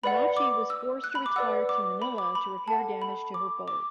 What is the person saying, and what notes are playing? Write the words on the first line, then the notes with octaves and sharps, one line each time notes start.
"Nachi" was forced to retire to Manila to repair damage to her bow.
B4 D5 F#5 B5
D6
E6
F#6
B5
D6
B4 D5 F#5 E6
D6
B5
D6
B5
A4 F#5 A5
B5
D6
D6